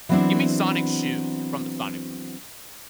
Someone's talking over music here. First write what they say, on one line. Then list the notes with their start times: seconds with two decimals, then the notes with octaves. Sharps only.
Give me Sonic shoes from the Sonic movies.
0.09 E3 F#3 B3 C4 D4 E4